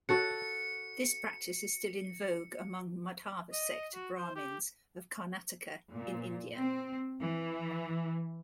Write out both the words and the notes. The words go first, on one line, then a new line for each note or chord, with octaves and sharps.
This practice is still in vogue among Madhava sect Brahmins of Karnataka in India.
F#4 A4 F#5 C#7
D#5
F#4
C5
G4
A#2
C4
E3